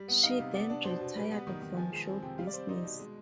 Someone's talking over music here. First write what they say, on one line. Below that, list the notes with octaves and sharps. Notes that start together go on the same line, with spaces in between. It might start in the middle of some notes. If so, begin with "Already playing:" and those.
She then retired from show business.
Already playing: G3
B3
D#4 F5
C3
B3 D5
D4
B2 C5
B2
G3 B4
B3
D#3
D#3
F3 G#5
G#3
C4 G#5
C3 G5
G3 F5
D5
C4 C5
D#4 C5
B2
G#3